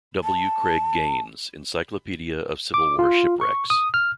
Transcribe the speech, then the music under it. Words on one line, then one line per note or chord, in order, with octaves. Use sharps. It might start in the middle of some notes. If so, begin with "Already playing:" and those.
W. Craig Gaines, "Encyclopedia of Civil War shipwrecks".
A5
D6
F4
C#6
D#6
F6